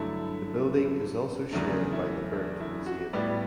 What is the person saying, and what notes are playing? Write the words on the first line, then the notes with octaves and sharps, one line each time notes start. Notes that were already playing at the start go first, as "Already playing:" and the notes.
The building is also shared by the Berndt Museum.
Already playing: G2 D3 F#3 A3 E4
E2 C#3 F#3 A3 D4
E4
D4
E4
F#4
A2 G3 B3 D5